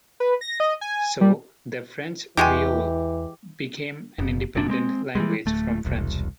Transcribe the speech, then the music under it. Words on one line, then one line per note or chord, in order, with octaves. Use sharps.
So, their French creole became an independent language from French.
B4
A#6
D#5
G#5
G3
E2 E3 G#3 F#4 G4 G5 G#5
F#1
F#1 F#2 A#2 D4
G#3 A#3 C4
E3 F3 G3 G#3
D1 A3
E1 C2